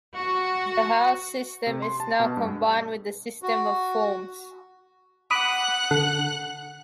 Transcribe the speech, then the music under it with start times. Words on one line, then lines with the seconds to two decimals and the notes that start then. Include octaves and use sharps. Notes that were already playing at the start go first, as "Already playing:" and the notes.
The house system is now combined with the system of forms.
0.16 F#4
1.67 C3
1.82 C6
2.00 A5
2.20 B2
2.37 G2
3.42 F#4
5.31 F#5 B5 D6 D#6 F#6
5.91 D3